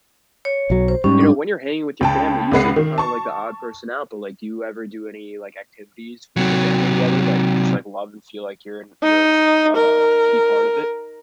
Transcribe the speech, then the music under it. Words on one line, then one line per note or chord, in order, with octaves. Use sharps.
you know, when you're hanging with your family, you said you're kinda, like, the odd person out, but, like, do you ever do any, like, activities with your family together that you just, like, love and feel, like, you're in you're f a key part of it?
C#5
B1 F#3
C5
G#2 G3 C#4
D4
C#2 G5 A5
C#2 C3 G#3 B4 F#5 C7
D#3
A5 C#6
C3 F#3
D#4
A#4